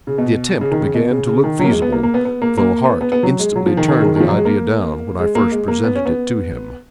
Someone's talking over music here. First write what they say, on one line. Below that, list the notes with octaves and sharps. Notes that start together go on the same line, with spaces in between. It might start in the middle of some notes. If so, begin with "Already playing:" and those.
The attempt began to look feasible, though Hart instantly turned the idea down when I first presented it to him.
C#3
B2
C#3
D#3
C#3
B2
C#3
C#3
D#3
F#3
A#3
G#3
B3
A#3
A#3
B3
B3
A#3
A#3
B3
B3
B3
F#3
G#3
F#3
F3
D#3
D#3
C#3
D#3
D#3
F3
F#3
G#3
A#3
G#3
A#3
G#3
A#3
B3
C#4
B3